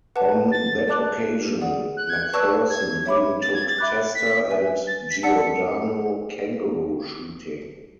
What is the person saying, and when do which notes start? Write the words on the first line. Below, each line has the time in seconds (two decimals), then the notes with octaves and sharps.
On that occasion, McPherson even took Testa and Giordano kangaroo shooting.
0.16 B4 F#5 A5
0.52 A6
0.88 D5 A5 D6 F#6
1.61 G#4 D5 F#5
1.97 F#6
2.10 G#6
2.23 F#6
2.33 B4 D5 A5 C#6 E6
2.70 G#6
3.06 C#5 E5 B5 D6
3.42 A6
3.54 G#6
3.67 A6
3.78 E5 B5 D6 F#6
4.15 B6
4.50 B4 E5 G#5
4.87 A6
5.11 B6
5.23 D5 F#5 A5 E6 C#7